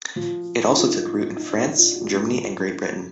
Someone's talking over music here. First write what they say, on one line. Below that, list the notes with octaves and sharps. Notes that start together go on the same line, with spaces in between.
It also took root in France, Germany, and Great Britain.
F3
D#4
F4
D#4
F4
D#4
D4
D#4
F4
F#4
G#3
F3